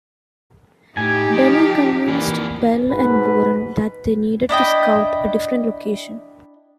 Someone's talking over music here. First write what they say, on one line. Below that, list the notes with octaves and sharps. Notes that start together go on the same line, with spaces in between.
Denny convinced Bell and Boren that they needed to scout a different location.
A2 D#4 G4 G#5
F3
F2 E3 A#3 D4
G#2 B2 B4
D4 E4 D#5 G5